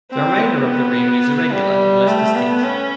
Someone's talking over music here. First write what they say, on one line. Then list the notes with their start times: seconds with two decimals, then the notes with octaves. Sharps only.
The remainder of the rim is irregular and less distinct.
0.11 C4
0.39 B3
1.51 G3
2.07 A3
2.35 B3
2.63 C#4